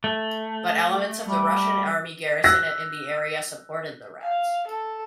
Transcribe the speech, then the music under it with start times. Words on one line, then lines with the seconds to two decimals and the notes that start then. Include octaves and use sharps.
But elements of the Russian army garrison in the area supported the Reds.
0.04 A3
1.25 G3
2.44 E6 F#6 A#6
4.22 F5
4.68 A4